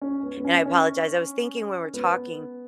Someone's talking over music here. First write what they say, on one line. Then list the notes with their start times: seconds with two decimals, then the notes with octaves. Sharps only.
and I apologize, I was thinking when we're talking
0.01 C#4
0.23 B3
0.37 B3
0.45 C#4
0.66 C#4
1.94 B3